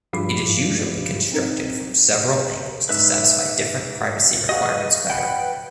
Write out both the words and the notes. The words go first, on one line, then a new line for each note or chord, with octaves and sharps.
It is usually constructed from several angles to satisfy different privacy requirements better.
G2 F3 G#4 B5 D6 C7
C4 D#4 A#4
G#2 B4 E5 E6
F#4 G#4 B4 D#5 F5
B4 F#5 G5